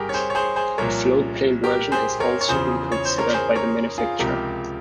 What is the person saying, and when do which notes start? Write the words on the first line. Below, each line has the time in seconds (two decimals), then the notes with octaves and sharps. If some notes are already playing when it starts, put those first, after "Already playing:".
A floatplane version has also been considered by the manufacturer.
Already playing: G1 G2 G4 G#4 A#4
0.09 C#5
0.14 G#4 C5
0.30 C#5
0.35 G#4 C5
0.56 G#4 C5
0.78 C2 A#2 F3 A#4 C#5
1.64 G4 A#4
1.92 G#4 C5
2.20 A#4 C#5
2.41 C#5
2.49 E2 C#3 F3 G#4 C5
2.92 C#5
3.05 C5
3.18 A#4 C#5
3.34 G#4 C5
3.55 A#4 C#5
3.98 F4 G#4
4.19 C#2 C3 F3 G4 A#4